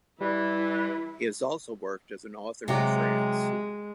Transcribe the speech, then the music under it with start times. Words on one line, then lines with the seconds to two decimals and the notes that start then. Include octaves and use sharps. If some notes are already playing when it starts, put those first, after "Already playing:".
He has also worked as an author in France.
0.21 E3 G3 E4
2.68 C3 F#3 G#3 G4